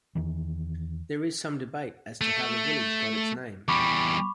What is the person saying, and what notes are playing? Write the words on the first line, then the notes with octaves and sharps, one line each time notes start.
There is some debate as to how the village got its name.
E2 D#3 E3
A3
E2 G3 B5 C#6 D6